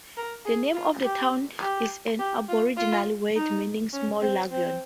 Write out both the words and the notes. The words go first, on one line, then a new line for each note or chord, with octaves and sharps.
The name of the town is an Aboriginal word meaning small lagoon.
A#4
G#4
F4
G4
G4
G4
F4
F4
D#4
C#4
C4
C4